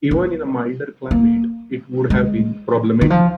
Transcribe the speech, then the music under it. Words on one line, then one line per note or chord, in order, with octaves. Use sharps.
Even in a milder climate, it would have been problematic.
B3
A#3
G#3
D#3
F3